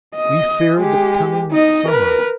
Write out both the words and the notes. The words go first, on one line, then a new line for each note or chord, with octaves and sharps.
We feared the coming summer.
D#5
G#3 G4
D#4 D#5
A#4 B4